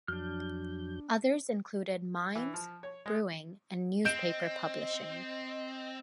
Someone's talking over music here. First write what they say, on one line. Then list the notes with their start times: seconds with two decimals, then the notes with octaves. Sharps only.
Others included mines, brewing, and newspaper publishing.
0.08 F2 F#3 D4 F6 G6
2.35 E3
2.54 F3
2.83 C#5
3.06 G#3
4.05 C4 D#5 G6 D7 E7